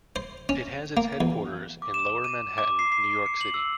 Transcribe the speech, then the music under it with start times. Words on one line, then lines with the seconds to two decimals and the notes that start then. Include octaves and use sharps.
It has its headquarters in Lower Manhattan, New York City.
0.16 C5
0.49 C#4
0.97 A#3
1.21 E2
1.82 D6
1.94 E7
2.24 D#7
2.58 D6
2.79 C7
2.92 C7
3.26 C#7
3.41 F#7
3.54 E6